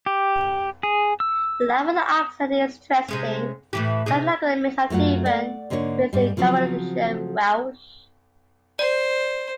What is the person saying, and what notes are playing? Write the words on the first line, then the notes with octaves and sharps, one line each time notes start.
The Laugharne accent is interesting, sounding like a mix of Devon with Carmarthenshire Welsh.
G4
G#4
E6
C3 G#3 C#4
A2 E3 G4
C3 D#4 G#4
F#2 F#3 A3 F4 F#5
D5 F#5
G#2 D3 A#3 A#4 C#5
G#2 G3
C#3 F3 F#3 C4
C5 D5